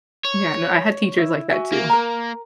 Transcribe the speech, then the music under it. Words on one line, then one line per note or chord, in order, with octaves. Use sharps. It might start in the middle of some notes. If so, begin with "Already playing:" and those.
Yeah, no, I had teachers like that too.
C#5
E4
F#4 E5 G#5
A#3
A#4 A#5